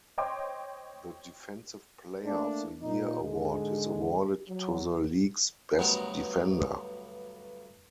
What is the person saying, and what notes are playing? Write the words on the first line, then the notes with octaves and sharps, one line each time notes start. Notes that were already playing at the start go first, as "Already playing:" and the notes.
The Defensive Player of the Year Award is awarded to the league's best defender.
C5 C#5 D#5 G5 C6 D6
A3 A#3 D4
A#2 D#4
G#2 D3 G#3
F#3
D2 G2 F#3 B3 A#4